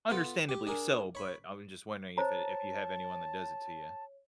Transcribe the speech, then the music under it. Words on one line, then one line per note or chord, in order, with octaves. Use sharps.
Understandably so, but I was just wondering if it if you have anyone that does it to ya?
B3 F4 A4
G4
D4 G#4 A#4
C#5 B5
C5 C#5 A5 A#5